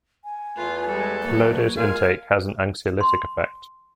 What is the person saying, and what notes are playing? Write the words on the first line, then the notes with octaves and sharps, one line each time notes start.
Low dose intake has an anxiolytic effect.
G#5
E2 A3 F4 B4
G3 G#3 A4
F#3 A#3
G#3 F4 A#4 F5 G#5
C6